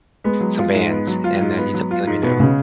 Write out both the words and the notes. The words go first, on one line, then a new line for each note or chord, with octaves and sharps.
some bands, and then you just let me know.
G#3 B3
F#3
F4
G#2
B3
F#3
F4
G#2
B3
F#3
F4
G#2
B2 B3
C#3 G#3